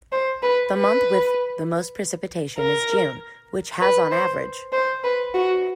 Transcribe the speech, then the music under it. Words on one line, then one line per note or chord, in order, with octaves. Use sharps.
The month with the most precipitation is June, which has on average.
C5
B4
B4
A#4
B4
C5
C5
B4
F#4